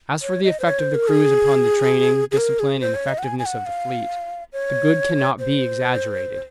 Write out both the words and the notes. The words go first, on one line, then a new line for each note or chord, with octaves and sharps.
As for the effect of the cruise upon the training, discipline and effectiveness of the fleet, the good cannot be exaggerated.
C#5
D#5
C5
C#5
C5
A#4
G#4
G#4
A#4
G#4
C5
C#5
D#5
F#5
G#5
G#5
F#5
F5
C#5
C5